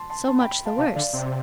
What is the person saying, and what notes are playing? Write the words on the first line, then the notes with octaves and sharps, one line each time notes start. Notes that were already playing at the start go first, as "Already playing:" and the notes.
So much the worse!
Already playing: A5 C6
A5 C6
A5 C6
G5 B5
F5 A5
C3 F5 A5
D3 D5 F5
C3